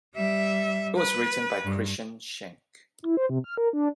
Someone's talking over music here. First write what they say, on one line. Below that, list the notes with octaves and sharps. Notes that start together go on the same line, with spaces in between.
It was written by Christian Schenk.
G3 E5
B4
G2
E4
C5
C3
F6
A#4
D4